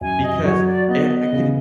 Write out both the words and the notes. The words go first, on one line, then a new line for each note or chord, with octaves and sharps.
because, eh I could it
F#2 G#5
D#5
F#3 C#5
D5
B3 D#5
D#5
C#3